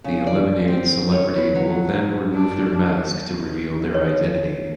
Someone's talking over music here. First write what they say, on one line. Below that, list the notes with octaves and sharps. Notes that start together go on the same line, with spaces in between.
The eliminated celebrity will then remove their mask to reveal their identity.
C#3
D5
C4
C#5
B4
F#3
D4
B4 C#5